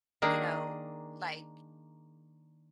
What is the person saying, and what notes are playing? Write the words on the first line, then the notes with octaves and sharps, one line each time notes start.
you know, like,
D#3 A#3 D4 G#4